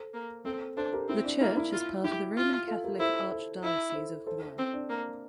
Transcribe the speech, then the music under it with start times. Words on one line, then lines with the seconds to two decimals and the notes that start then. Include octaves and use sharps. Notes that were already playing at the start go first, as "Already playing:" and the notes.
The church is part of the Roman Catholic Archdiocese of Rouen.
Already playing: A4 C5
0.14 A#3
0.45 C4 A4 C5
0.77 D4 A4 C5
0.93 G4 A#4
1.09 C4 E4
1.24 D4
1.41 A#3 E4
1.57 E4
1.72 F4
2.04 E4 G4
2.37 F4
2.67 F4 A4
2.84 G4 A#4
2.99 E4 A4 C5
3.31 A4 C5
3.63 E4
3.95 A4 C5
4.27 A4 C5
4.42 A4 C5
4.59 C4
4.73 D4
4.90 A#3